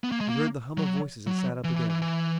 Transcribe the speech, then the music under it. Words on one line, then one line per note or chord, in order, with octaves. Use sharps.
He heard the hum of voices and sat up again.
B3
A#3
G#3
A#3
F#3
F#3
E3
E3
E3
E3